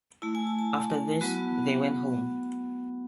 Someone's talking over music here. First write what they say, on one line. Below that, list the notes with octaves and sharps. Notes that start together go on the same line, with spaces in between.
After this, they went home.
A3 E4 A5
G#5
A5
A5
F#3 B3 F#4